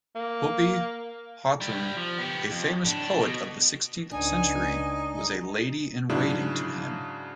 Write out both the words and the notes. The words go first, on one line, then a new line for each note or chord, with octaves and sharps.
Hubbi Hatun, a famous poet of the sixteenth century, was a lady-in-waiting to him.
A#3
G3 E4
F3
B3 G4
F2
A2 D4
B2
C#2 D4 D#4 G#5
G#2 C#3 F#3 D4 E4